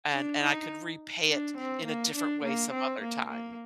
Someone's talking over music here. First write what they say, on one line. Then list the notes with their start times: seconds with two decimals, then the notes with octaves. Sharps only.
and and I could repay it in a different way some other time.
0.12 D4
0.41 D#4
1.28 D4
1.57 C4
1.85 A#3
2.14 D4
2.44 A#3
2.72 C4
3.01 A#3
3.29 A#3